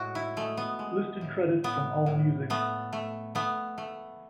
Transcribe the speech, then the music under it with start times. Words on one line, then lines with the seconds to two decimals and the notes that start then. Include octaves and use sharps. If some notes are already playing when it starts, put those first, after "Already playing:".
Listed credits from AllMusic.
Already playing: A2 G#3 F#4
0.15 E4
0.36 G#3 A3
0.57 B3
0.79 G#3
1.21 A2
1.64 A2 B3
2.06 A2
2.50 A3 B3
2.93 A3
3.35 A3 B3
3.78 A3